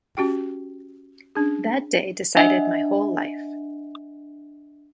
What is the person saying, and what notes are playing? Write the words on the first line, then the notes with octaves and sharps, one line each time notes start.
That day decided my whole life.
C#4 F#4 G4 G5
C#4 D4 G#4
D4 D#5 E5 F#5 G#5